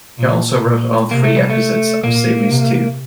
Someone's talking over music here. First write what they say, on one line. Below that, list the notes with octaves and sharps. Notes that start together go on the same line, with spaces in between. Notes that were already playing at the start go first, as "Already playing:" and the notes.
He also wrote all three episodes of series two.
A#2
A#2
C3 A#3
A3
G3
A3
A#2 A#3
C3